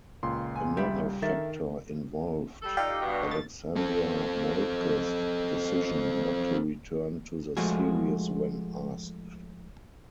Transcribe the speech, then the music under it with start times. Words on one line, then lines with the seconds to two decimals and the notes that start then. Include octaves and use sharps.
Another factor involved Alexandra Moltke's decision not to return to the series when asked.
0.23 C#2 A#2 C6
0.56 G#5
0.77 G3 A4 E5 B5
1.22 D#3 D4 A4 A#4 E5 A6
2.62 G3 A4
2.77 D#4 F4 G4 A4 D5 F5
3.02 G2 B2
3.31 A6
3.76 C4 A4
7.57 F3 G#3 A3 F#4 G#4